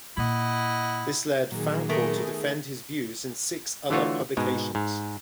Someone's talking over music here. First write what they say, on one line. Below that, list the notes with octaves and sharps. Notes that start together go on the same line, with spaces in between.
This led Fancourt to defend his views in six other publications.
A#2 E4 D#5 F#5
A#2 D#3 F#3 G#4
A3 B3 A#4
D3 E3 A3 F4 F#4 C#5
G#2 B2 G#3
G#2